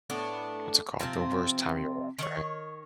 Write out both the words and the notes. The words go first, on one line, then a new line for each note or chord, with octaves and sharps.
what's it called? The worst time of your life right?
A2 B3 D4
C3 F3 A3 C4
D#3 C#5